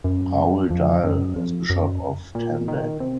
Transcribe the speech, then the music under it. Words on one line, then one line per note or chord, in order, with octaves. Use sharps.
Raul Dael as Bishop of Tandag.
F#2
F2
F#2
F2
F#2
A#2
D#3
C3